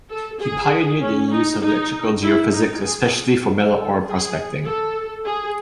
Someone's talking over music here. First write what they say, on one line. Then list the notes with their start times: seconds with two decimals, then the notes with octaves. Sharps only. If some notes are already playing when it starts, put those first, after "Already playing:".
He pioneered the use of electrical geophysics, especially for metal-ore prospecting.
0.10 A4
0.40 G#4
1.01 C#4
1.31 D#4
1.61 D#4
2.22 E4
2.52 D#4
2.83 G#4
3.74 A4
4.04 G#4
4.65 A4
5.25 G#4